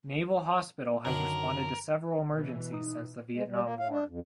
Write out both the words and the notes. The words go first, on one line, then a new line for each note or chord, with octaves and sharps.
Naval Hospital has responded to several emergencies since the Vietnam War.
F#2 D3 D#3 A#4
B2 E3
D#4 D#6
G#3
G3
A#3
F5
D4
F2